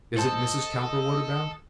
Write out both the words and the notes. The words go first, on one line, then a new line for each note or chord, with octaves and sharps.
"Isn't Mrs. Cowperwood about?"
A4 C5 D#5 A5